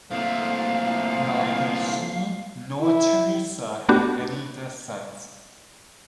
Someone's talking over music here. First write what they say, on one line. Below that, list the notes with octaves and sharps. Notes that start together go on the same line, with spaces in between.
Neither he nor Teresa had any descent.
C2 D3 E3 F3 A3 A#3 F5
E4
A3 B3 D4 F#4 G4